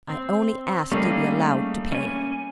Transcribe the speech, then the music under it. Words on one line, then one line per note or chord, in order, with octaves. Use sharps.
"I only ask to be allowed to pay."
C4
G3 A3 A#3 C#4 D#4 G#4
C#4 G#5